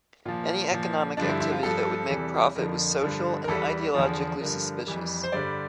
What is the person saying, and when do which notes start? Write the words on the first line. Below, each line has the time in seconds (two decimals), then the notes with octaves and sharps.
Any economic activity that would make profit was social and ideologically suspicious.
0.25 A#2 F3 F4
0.71 A#2 F3
1.17 G2 D3 F3 D4
1.29 E4
1.40 E4
1.52 F4
1.63 G2 F3 A4
2.09 E2 C3 E3 G3
2.55 F2 D3 F3 A#4
3.02 G2 D3 F3
3.44 A#4
3.48 E2 E3 G3 A4
3.95 E2 D3 F3
4.40 G2 D3 F3 A#4
4.87 F2 E3 G3
5.24 C5
5.32 G2 D3 G3 D5